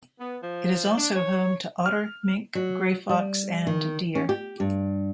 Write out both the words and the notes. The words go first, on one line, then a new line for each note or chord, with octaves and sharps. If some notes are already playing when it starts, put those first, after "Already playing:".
It is also home to otter, mink, grey fox and deer.
B3
F3
D4
C#5
F6
F#3
G3
D#3
C#4
G4
G2